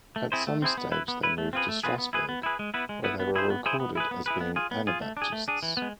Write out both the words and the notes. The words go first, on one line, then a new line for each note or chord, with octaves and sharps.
At some stage they moved to Strasburg where they were recorded as being Anabaptists.
A3
C4 E4 G#4 C5
A3
C4 E4 G#4 C5
B3
E4 B4
B3
E4 B4
A3
C4 F4 G#4 B4
A3
C4 F4 G#4 B4
B3
E4 G#4 B4
B3
E4 G#4 B4
G#3
B3 E4 B4
G#3
B3 E4 B4
B3
E4 G#4 C5
B3
E4 G#4 C5
B3
E4 G#4 B4
B3
E4 G#4 B4
B3
F4 G#4
B3
F4 G#4
A3
D4 G#4
A3
D4 G#4
E3
B3
G#3